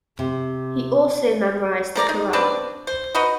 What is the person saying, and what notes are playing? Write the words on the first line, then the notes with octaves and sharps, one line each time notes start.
He also memorised the Qur'an.
C3
F3 A#4 D5 A#5
D#4
C4 D4 B4 D5
C5
D#4 F#4 B4 D#5